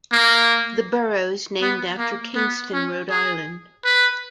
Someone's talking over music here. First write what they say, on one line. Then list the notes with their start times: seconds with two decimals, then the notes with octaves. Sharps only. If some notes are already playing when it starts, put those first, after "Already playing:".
The borough is named after Kingston, Rhode Island.
0.12 A#3
1.62 B3
1.98 A#3
2.35 B3
2.73 C#4
3.10 G#4
3.85 B4